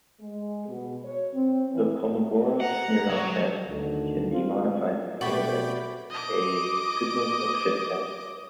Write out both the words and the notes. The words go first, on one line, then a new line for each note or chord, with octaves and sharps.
The Kolmogorov-Smirnov test can be modified to serve as a goodness of fit test.
G#3
B2
C#5
C4
E3
A3
F#5 A#5
F#3
D2 D3 D#3
C4 F4
B2 A3 B3 F#4 G4 D5 G5 B5
D#5 D6